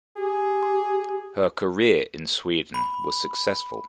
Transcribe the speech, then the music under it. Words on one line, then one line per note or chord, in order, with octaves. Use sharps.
Her career in Sweden was successful.
G4 G#4
B5